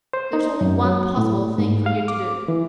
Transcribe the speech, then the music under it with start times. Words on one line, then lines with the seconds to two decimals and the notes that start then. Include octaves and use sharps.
There's only one possible thing for you to do.
0.13 C5
0.33 D#4
0.61 F#2
0.85 F#3
1.17 A2
1.58 G#2
1.86 F5
2.08 D6
2.48 E3